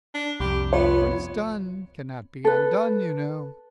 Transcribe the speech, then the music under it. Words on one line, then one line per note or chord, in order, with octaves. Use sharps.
What is done cannot be undone, you know.
D4
C2 F2 G4
B3 F4 C#5
A4 B4